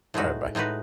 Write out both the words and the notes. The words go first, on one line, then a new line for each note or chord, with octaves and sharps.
Alright, bye.
A2 G#3 D#4 F#4 B4
A2 G#3 D#4 F#4 B4